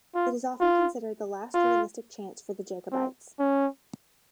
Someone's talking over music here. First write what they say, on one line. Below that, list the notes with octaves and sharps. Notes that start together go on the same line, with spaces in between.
It is often considered the last realistic chance for the Jacobites.
F4
F4
F4
C4
C#4